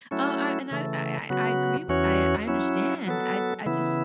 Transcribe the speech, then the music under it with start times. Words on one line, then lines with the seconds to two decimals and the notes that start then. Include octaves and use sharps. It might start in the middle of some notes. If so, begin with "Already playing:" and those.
Oh, I and I I I agree with I I understand. I I just
0.11 F#3 A3 C#4 E4
0.71 C#3 E3 A3
1.30 C#3 F#3 B3 F#4
1.88 E2 E3 C#4 F#4 C#5
2.48 F#3 C#4 E4
3.07 F#3 B3 A4
3.66 C#3 E3 B3 E4